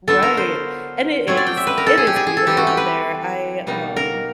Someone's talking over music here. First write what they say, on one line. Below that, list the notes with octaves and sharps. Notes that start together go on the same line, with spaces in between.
Right, and it is it is beautiful out there. I, um
D3 F#3 B3 D4 F4 A4
A#4
C5
F#3 A3 C4 F4 C#5
D5
G5
E5
B4
A#4
A4
G#4
G4
G#4
G#4
A4
E3 G3 C4 G4
F#4
G4
B4
B2 G3 A#3 D#4
A#4